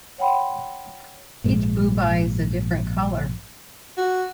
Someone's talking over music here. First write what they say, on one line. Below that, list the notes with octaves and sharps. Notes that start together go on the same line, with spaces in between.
Each Boohbah is a different colour.
C#5 F#5 G5 B5 C6
A#1 G#2 G#3
F#4